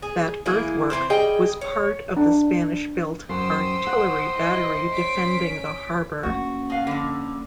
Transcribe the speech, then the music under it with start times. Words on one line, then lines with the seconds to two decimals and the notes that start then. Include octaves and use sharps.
That earthwork was part of the Spanish-built artillery battery defending the harbor.
0.02 G#4
0.46 E3 A#3 E4 G#4
0.90 E3 A#3 C4 C5
1.10 G3 G#4 D#5 G5
1.61 C#5
2.17 D4
3.29 F#2 C5 G5 D#6 E6
3.87 F#5
4.33 E4 D#5 G5
4.91 C#4 B6 D7
6.23 A#3 C#4 F#4
6.70 B2 F5
6.87 F2 D3